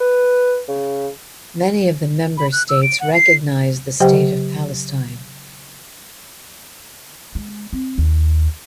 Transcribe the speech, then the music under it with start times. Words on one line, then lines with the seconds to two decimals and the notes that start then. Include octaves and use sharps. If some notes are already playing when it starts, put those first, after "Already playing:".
Many of the member states recognise the State of Palestine.
0.01 B4
0.68 C#3
2.38 B5
2.52 F#6
2.69 E6
2.83 D7
3.00 F#5
3.14 C7
4.00 C#3 F#3 G4 C5 F#5 G5
7.35 G#3
7.73 C4
7.98 D#2